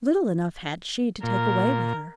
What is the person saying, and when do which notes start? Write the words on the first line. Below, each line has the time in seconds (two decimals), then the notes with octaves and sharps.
Little enough had she to take away with her.
1.23 A#2 A#4